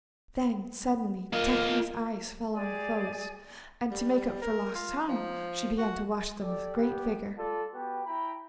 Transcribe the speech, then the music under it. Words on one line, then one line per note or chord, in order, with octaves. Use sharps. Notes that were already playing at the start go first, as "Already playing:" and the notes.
Then suddenly Tephany's eyes fell on the clothes, and to make up for lost time she began to wash them with great vigour.
A#3 F4 D#5
G4 G#4 D5 G#5
G3
A#4
F4
F3
F#4
G4 A4 D5
G3 B3 C4 G4
F4 A4 D5 A5
B3 F#4 G4 B4 G5
E4 G5 A#5 B5